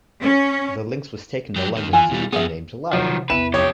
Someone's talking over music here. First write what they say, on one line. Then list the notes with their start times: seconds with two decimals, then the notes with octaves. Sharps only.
The lynx was taken to London Zoo and named Lara.
0.22 C#4
1.56 F#3 G4
1.76 D#2 D#3
1.93 E3 E4 F4 G#5
2.11 B2 G3
2.32 F3 B3 G#4 D#5 E5
2.93 C3 D#3 F3 F#3
3.30 E2 B3 E4 B4 E7
3.54 F2 G4 C#5 G5 D#6